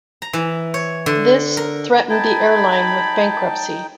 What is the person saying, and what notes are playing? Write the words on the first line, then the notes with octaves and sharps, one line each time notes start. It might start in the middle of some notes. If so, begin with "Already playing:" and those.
This threatened the airline with bankruptcy.
A#5
E3
C#5
D3
A#4
D#4 G5 A5 B5 G#6